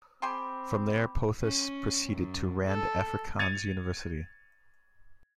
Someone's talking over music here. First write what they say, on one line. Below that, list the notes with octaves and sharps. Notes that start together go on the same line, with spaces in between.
From there Pothas proceeded to Rand Afrikaans University.
C4 G#4 G5 B5 C6 D6
C#4
F#2
A4
G#6 A6 C#7 D#7 F7